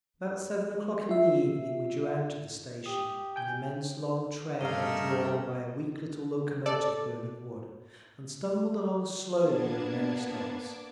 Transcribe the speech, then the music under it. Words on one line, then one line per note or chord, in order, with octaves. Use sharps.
About seven o'clock in the evening we drew out of the station, an immense long train drawn by a weak little locomotive burning wood, and stumbled along slowly, with many stops.
F4 E5
G4 D#6
G5 G#5 G6
G2 C#3 A3 A4 A#4 D#5 F5
A4 D5
A#3 B3 D4 A5 G#6
D6